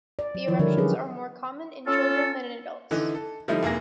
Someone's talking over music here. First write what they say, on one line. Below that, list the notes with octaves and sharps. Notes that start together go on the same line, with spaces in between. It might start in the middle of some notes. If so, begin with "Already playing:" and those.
The eruptions are more common in children than in adults.
D5
F#3
D#3 F3 E4 C#5
D3 G3 D4 G4 A#4
F#3 C#4 G4 G#4 B4 C#5
C#4 F4 A4
D3 E3 D#4
A4
D3 F3 G3 A3 D#4 E4
F1 A#3 E4 G#4 A#6